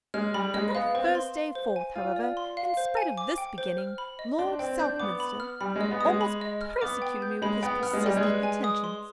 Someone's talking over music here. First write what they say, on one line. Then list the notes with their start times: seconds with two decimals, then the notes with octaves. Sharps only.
From that first day forth, however, in spite of this beginning, Lord Southminster almost persecuted me with his persistent attentions.
0.14 G#3 F6
0.34 G3 B5
0.54 G#3 D#5
0.75 B3 F5
0.94 C4 B4
1.15 C6
1.35 F5
1.55 C5
1.76 G#5
1.96 F4 G#5
2.16 D5
2.37 C6
2.57 F5
2.77 C5
2.97 G#5
3.18 D6
3.38 G5
3.58 C5
3.78 F6
3.98 B5
4.19 D#5
4.39 D4 C6
4.59 C4 G5
4.79 D4 G6
5.00 B3 D6
5.20 B5
5.40 F6
5.61 G3 B5
5.76 G#3
5.81 D#5
5.91 B3
6.01 G#3 D#6
6.21 B5
6.41 D#5
6.61 F6
6.82 B3 D6
7.02 G5
7.22 G6
7.42 G#3 B5
7.63 B3 G5
7.83 B3 F6
7.93 G#3
8.03 G3 D5
8.17 G#3
8.23 B4
8.43 G#5
8.64 D#6
8.84 C6